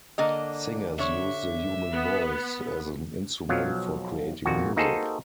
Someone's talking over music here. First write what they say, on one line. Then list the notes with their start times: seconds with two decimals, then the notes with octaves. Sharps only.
Singers use the human voice as an instrument for creating music.
0.18 D3 A#3 D#5
0.99 D3 C#5 E5
1.92 B3
3.49 B1 F3 F#3 F5
4.45 A#1 F2 A#2 F#4
4.77 A#3 D#4 F#4 G#4 A4 C5